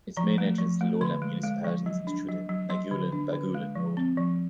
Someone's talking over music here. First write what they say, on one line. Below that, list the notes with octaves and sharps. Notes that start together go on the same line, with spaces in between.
Its main entrance to lowland municipalities is through the Naguilian-Bagulin Road.
F3 A#5
A3
F3
A3
D3 C6
G#3
G#3
F3
F#3
D4
F#3
F#3
F#3 C6
D3
D4
D3
G#3
F3
C4
F3